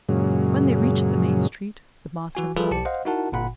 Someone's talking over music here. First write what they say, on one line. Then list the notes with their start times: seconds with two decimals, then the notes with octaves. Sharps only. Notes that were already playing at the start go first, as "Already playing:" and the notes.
When they reached the main street the master paused.
0.09 F#2 A#2 C#3 F#3 G#3
2.35 E3 F#4 G#5
2.57 F3 G3 F4 G#4 A4 B4
2.71 B1 G4 A5 C#7
2.85 C5 D#5 F5 F#5
3.05 D#4 E4 F#4 A#4 F#5 A5
3.32 G1 A#2 F#5 B5